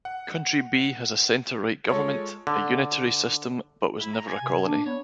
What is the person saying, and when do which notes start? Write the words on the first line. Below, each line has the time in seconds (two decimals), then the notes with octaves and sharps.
Country B has a centre-right government, a unitary system but was never a colony.
0.05 F#5
1.89 G#3 F4 A4 C#5
2.47 D3
3.99 E4
4.13 A#5
4.27 G#5
4.41 C3
4.64 D4
4.86 B3 C#5